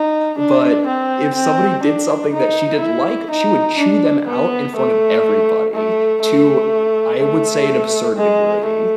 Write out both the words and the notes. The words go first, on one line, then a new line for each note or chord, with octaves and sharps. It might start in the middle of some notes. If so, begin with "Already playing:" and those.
But, if somebody did something that she didn't like, she would chew them out in front of everybody, to, I would say, an absurd degree.
Already playing: D#4
D4
C4
C4
D4
D#4
E4
D#4
D4
B3
A3
A3
A3
A3
G#3
A3